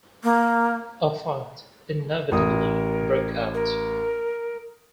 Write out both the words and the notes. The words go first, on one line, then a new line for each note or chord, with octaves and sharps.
A fight inevitably broke out.
A#3
A1 A#4 D#6
A#4